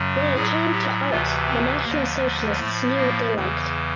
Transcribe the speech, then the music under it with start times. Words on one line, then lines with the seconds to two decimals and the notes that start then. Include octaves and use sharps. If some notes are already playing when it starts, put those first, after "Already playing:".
When it came to art the National Socialists knew what they liked.
Already playing: F#2 C#3 F#3
0.35 A2 F#3 G#4
0.72 G4
1.10 D2 C3 E3 F4
1.47 C4
1.84 D#2 D3 F3 A#3
2.59 A2 F3 A3
2.96 A#3
3.34 E2 C#3 E3